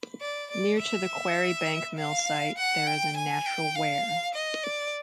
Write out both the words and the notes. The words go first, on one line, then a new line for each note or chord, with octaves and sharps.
Near to the Quarry Bank Mill site there is a natural weir.
D5
D5
E5
F5
F#5
G5
G#5
G5
F5
D#5
D5